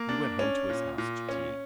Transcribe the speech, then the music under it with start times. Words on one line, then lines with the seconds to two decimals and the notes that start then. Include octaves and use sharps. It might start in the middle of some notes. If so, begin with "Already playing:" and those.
We went home to his house to tea.
Already playing: A#3
0.09 D4
0.39 C#4
0.70 A#2
0.98 A#2
1.29 C#4